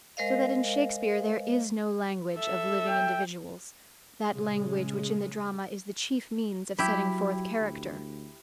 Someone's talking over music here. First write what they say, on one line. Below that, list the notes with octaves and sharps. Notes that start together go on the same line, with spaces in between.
So that in Shakespeare there is no language of living individuals--that language which in the drama is the chief means of setting forth character.
G#3 A#4 C5 D#5 F5
A4 E5
G5
A#2 C#3 G#3
F#3 E4 G4
D2